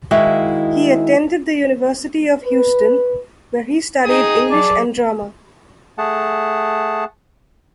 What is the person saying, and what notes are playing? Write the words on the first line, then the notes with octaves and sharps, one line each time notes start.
He attended the University of Houston, where he studied English and drama.
D#3 G#3 E4 F#4 F5
B4
D#4 G#4 G5 D#6
F#3 D5 A5
A3 G#4 F#5 A5